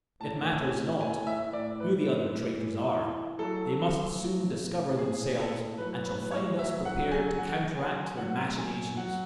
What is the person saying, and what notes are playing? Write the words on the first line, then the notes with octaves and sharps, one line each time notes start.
It matters not who the other traitors are; they must soon discover themselves, and shall find us prepared to counteract their machinations.
A2 A5
A2
A2 G#5
E5
A2
D5
A2 B4
A2
E3
E3
F#3 A4
F#3
A2
A2
A2 G#4
A2 A4
F#3 B4
B4
A2
C#5
F#3 E5
F#5
F#3
G#5
F#3 F#5
F#3 G#5
F#3 F#5
F#3 G#5
F#3 F#5